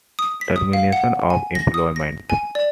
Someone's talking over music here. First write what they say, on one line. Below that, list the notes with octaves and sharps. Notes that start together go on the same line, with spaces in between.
Termination of employment.
D#6
B6
D#6
F5
F#5
G#5
A#6
D#6
A#6
G#5
D5